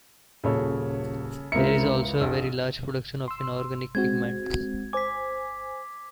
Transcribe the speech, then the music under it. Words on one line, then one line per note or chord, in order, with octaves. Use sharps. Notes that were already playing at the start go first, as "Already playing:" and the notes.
There is also a very large production of inorganic pigments.
D#1 C#3 A4 C#5
C#2 E4 A#4 C5 C#7
A#1 G#4
C6 E6
G#3 C4 F#4 G#6
C5 G#5 D6 B6